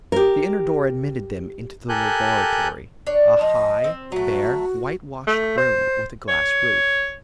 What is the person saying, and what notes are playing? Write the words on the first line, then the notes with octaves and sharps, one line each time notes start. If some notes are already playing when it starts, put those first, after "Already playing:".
The inner door admitted them into the laboratory, a high, bare, whitewashed room with a glass roof.
G4 A#4
G4 A4 A#4 G#5 F#6 G6
D4 C#5
F3 D#5
C4
F#3 A3 F#4
A3
C5
C#5